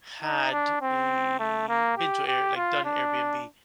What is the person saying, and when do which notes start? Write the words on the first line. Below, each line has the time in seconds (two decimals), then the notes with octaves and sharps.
had a been to Air like, done Airbnb.
0.23 D#4
0.52 D4
0.81 C4
1.39 A3
1.68 A#3
1.97 G4
2.27 G4
2.56 F4
2.85 D4